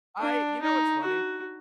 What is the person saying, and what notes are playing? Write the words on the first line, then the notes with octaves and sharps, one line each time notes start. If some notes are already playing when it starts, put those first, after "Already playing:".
I you know what's funny?
D4
D#4
F#4